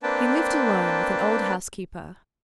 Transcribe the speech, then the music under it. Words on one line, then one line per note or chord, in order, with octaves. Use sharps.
He lived alone with an old housekeeper.
A#3 C4 D4 B4 G5 A5